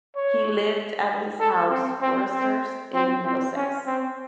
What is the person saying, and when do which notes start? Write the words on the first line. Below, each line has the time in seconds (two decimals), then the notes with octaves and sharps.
He lived at his house "Foresters" in Middlesex.
0.16 C#5
1.40 A4
1.70 C4
2.01 C4
2.32 C4
2.94 C4
3.25 C4
3.55 C#4
3.86 C4